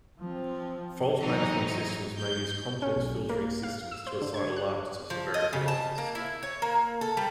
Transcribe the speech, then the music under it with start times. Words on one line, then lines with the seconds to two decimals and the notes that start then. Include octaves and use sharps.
Fault management systems may use complex filtering systems to assign alarms to severity levels.
0.21 F3 C4
1.21 E3 F#3 C4 D#4
2.17 G6
2.82 C#4
2.96 B1
3.29 A#3
3.63 F5
3.91 E6
4.07 C5
4.22 D3
4.34 G#6
4.56 F#6
5.10 F3
5.34 D#5
5.53 C#3
5.68 A5
5.98 A#3
6.15 E4
6.43 C#5
6.62 A#3
7.01 A4
7.17 G3